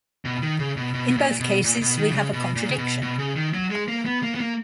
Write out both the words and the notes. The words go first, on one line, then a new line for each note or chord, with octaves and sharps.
In both cases, we have a contradiction.
B2
D#3
C#3
B2
B2
B2
A#2
B2
A#2
B2
D#3
B2
C#3
B2
A#2
C#3
B2
B2
C#3
D#3
F#3
G#3
A#3
B3
A#3
B3
A#3